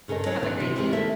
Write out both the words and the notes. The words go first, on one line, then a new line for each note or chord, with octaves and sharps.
Have a great day.
G2 C#3 A4 A#4 D#5
F#3 D4 D#4 C#5 D#5
D#3 E3 B3 C4 D4
C3 E3
D#3 E3 G3 G#3 C4 E4
A3 A#3 A4 E5